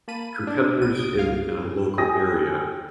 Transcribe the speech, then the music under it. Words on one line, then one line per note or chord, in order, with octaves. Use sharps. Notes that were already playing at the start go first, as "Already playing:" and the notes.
competitors in in a local area,
A#3 A5 B5 D#7
D4
C2 B3 D#7
D#6 D7
C#2 F5
G5 G#5 D#6 A#6